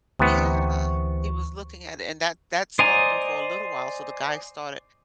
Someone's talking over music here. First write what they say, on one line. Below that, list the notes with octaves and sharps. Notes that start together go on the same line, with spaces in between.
Yeah. He was looking at it, and that that stalled him for a little while, so the guy started
D2 C3 E3 B3 C#6
C5 D5 D#5 G#5 A#5